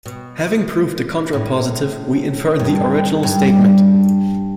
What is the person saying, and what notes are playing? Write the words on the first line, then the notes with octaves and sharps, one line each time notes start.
Having proved the contrapositive, we infer the original statement.
B2
A2
G2
G2